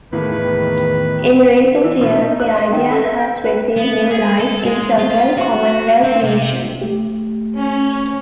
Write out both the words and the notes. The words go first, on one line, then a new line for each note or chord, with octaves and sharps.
In recent years, the idea has received new life in several Commonwealth nations.
E2 A2 D#3 A#3 B4
E3
B2
D#4
F#6
D#5
D#3
A4
E5
G5
B4
B3
G#4
A4
G#3
F4
F#4
C4
C3
A3 G4
C#4